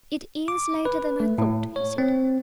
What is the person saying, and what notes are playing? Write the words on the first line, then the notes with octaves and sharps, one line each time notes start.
"It is later than I thought," he said.
D6
B4
A3
A2
C#5
C4